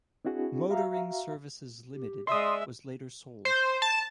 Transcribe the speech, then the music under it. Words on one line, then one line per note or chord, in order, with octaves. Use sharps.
Motoring Services Limited was later sold.
C4 D4 E4 F#4 G#4
F#4 E5 F5 A#5
G4
G#3 D5 E5 C6 D#6
C5
A5